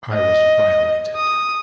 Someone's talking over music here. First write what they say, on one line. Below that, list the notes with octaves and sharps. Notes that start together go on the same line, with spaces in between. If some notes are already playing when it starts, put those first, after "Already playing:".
I was violated.
D#5
D#6